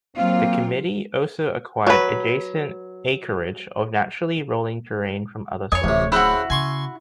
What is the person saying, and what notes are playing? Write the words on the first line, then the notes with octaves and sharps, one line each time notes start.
The committee also acquired adjacent acreage of naturally rolling terrain from other sources.
F#3 A#3 C4 F4 F5
F#3 B4
F2 C#5 D#5 G#5
D1 A1 C3
C#3 C4 E4 F#4 F#5
C#3 G#5 C6 C#6